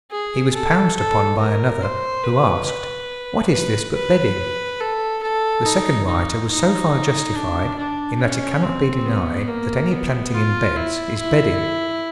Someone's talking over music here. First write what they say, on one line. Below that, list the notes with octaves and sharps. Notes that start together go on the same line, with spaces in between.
He was pounced upon by another, who asked, "What is this but bedding?" The second writer was so far justified, in that it cannot be denied that any planting in beds is bedding.
G#4
A4
A4
A#4
C5
B4
B4
B4
B4
A4
A4
D#4
D#4
D#4
D4
D4
C#4
C4
B3
A#3
B3
F4
E4
E4